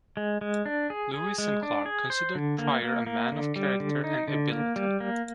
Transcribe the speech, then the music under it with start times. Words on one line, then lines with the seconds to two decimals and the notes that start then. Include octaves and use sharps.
Lewis and Clark considered Pryor a man of character and ability.
0.17 G#3
0.41 G#3
0.66 D4
0.90 G#4
1.14 G#4
1.38 G#3
1.63 D4
1.86 G#4
2.10 C5
2.35 D3
2.58 A#3
2.82 A#3
3.07 A#3
3.32 D3
3.56 G3
3.80 D3
4.04 D#4
4.28 D3
4.52 A#3
4.76 G3
5.00 A#3